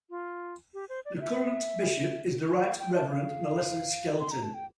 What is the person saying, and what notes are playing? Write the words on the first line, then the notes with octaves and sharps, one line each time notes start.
The current Bishop is the Right Reverend Melissa Skelton.
F4
G4
C5
D5
D5
E5
F5
G5
A5
F5
C6
A#5
A5
G5